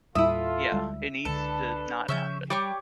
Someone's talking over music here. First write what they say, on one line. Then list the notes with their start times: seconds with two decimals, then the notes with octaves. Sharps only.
yeah, it needs to not happen.
0.15 D#2 A2 G3 E4 F4 A4 E5 D#6
0.72 D2 G3 G#3
1.25 C#2 D3 D4 A4 B4
2.08 C#3 F3 C#4 E5 G6
2.50 G3 G4 C#5 G5 D6